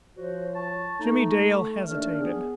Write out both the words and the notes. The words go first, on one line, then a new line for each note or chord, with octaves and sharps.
Jimmie Dale hesitated.
F3 F#4 C5 C#5
A5 C#6
A3 D#4
D#2 A3 D4 F6
B3 G#4